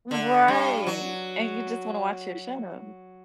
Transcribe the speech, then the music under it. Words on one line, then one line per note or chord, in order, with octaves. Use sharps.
Right, and you just wanna watch your show.
D3
G2
F#3